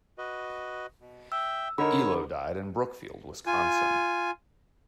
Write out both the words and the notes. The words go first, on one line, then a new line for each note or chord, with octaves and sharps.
Elo died in Brookfield, Wisconsin.
F#4 B4 D#5
B2
E5 G5 E6
D3 D#4 A#4 C#5 B5 C#6 E6
F4 G#5